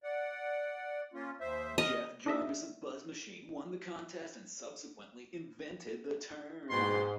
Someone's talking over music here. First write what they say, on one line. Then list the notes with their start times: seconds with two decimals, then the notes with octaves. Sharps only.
Jeff Jarvis of BuzzMachine won the contest and subsequently invented the term.
0.03 D5 F#5
1.13 A#3 C#4 F4
1.40 D#2 C5 E5
1.78 D2 D#5 F6
2.26 D4 D#4 D#5 E5
6.70 G#2 B2 G5 C6